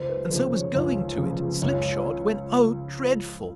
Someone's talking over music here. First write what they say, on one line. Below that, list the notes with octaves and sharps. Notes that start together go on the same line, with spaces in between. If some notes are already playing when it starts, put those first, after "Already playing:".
And so was going to it slip-shod, when, O dreadful!
Already playing: C#2 C5
B4
C#3 F3 C5
C#5
C#2
C#3 F3
C#2 C#5